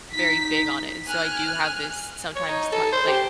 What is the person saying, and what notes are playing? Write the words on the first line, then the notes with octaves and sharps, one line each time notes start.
very big on it, and so I do have this sometimes, tun like,
D#4 B6
G#5 F6 F#6
C#5
D#4
A4
C5
G4